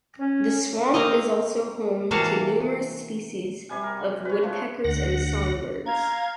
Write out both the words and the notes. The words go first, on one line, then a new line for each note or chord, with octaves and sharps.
The swamp is also home to numerous species of woodpeckers and songbirds.
C#4
A#3 C4 A#4 D#5
C3 E3 A#3 F#4 F5 A5
C3 G3 G#5
A#4
B4 C#5
F3 A3
D2 F#5 A#6
F5 A#5 G#6